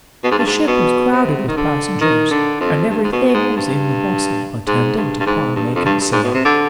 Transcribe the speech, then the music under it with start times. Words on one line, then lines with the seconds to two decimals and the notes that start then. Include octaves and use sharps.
The ship was crowded with passengers, and every thing was in the bustle attendant upon making sail.
0.24 B2
0.31 G#2
0.38 G2
0.46 G#2
0.67 B2
1.12 C3
1.48 D#3
1.56 D3
2.01 D#3
2.31 D3
2.60 F2
2.89 G2
3.04 G#2
3.12 B2
3.28 B2
3.34 G#2
3.56 G2
4.67 G#2
4.97 G2
5.20 G2
5.26 G#2
5.56 G2
5.75 F2
5.85 G2
6.01 G2
6.12 G#2
6.23 B2
6.34 C3
6.44 D3